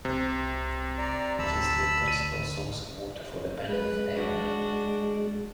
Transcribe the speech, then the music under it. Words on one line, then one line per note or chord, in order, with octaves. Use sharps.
It is the principal source of water for the Penwith area.
C2 C3
D5 A#5
D2 A5 B5 E6
D#7
G#3 B4
D4 F#4